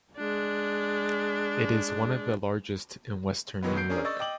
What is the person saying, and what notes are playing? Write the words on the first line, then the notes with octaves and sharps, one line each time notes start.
It is one of the largest in Western New York.
G#3 D4
B2 D#3 E3 F#3 G#3 B3
D2 G6 C7 D7
C#4 D4 G#4 A#4
D5 D#5 C#6 E6 A6
D#5 G5 D6 F#7